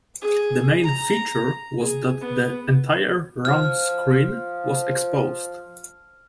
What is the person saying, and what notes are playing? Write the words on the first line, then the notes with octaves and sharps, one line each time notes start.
The main feature was that the entire round screen was exposed.
G#4
A#5
G#4
B3
F3 F6